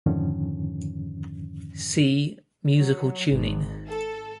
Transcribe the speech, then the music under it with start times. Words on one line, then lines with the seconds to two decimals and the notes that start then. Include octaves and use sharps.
See: musical tuning.
0.06 F2 G#2 D3 D#3 F3 C#4
2.77 F#3
3.30 G#1
3.88 A4